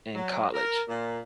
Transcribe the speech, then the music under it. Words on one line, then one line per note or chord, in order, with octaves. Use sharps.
and college,
F#3
A#4
A#2